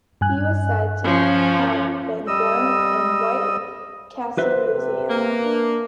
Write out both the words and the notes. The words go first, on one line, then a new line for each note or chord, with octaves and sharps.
He was said to have been born in White Castle, Louisiana.
G2 G#5 F#6
F3 C#4
G3 D#5 E6
B4 C5 E5
C3
A#3
D4